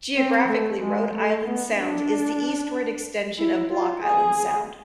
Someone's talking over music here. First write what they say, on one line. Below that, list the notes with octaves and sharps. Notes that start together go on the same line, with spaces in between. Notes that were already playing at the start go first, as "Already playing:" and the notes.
Geographically, Rhode Island Sound is the eastward extension of Block Island Sound.
C4
A3
G#3
A3
B3
D4
E4
F4
G#4